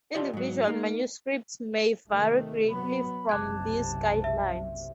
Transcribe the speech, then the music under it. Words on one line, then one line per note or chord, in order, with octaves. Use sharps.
Individual manuscripts may vary greatly from these guidelines.
D4 F4 G4 D5 D#5
G#2 F#3
A#3 D#4
C3 D#3 A3
F#3 B3 B5
F#1 B1 C3 A5 D6 F#6 G#6
E5